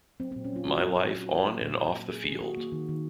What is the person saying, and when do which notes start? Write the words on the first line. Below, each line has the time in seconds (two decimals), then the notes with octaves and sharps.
My Life On and Off the Field.
0.20 F#3 C4
0.32 A#2 C4
0.44 C#4
0.52 F#3 F4
0.67 F#3 F#4
0.84 F#3
0.99 A#2
1.15 A#2
1.30 A#2
1.47 F#3
1.62 A#2
1.78 A#2
1.93 A#3
2.09 A#3 G#4
2.25 D#3 G#4
2.41 A#3 F#4
2.57 A#3
2.72 D#3
2.89 D#3